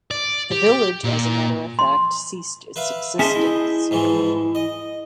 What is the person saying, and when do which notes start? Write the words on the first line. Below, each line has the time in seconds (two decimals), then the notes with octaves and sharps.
The village, as a matter of fact, ceased its existence.
0.11 D5
0.52 G4
1.04 A#2
1.79 C6
2.76 B4 E5 F5
3.19 C#4 G#4 C5 D#5 E5 A5
3.36 E4
3.91 G#2 E3 F3
4.55 D#5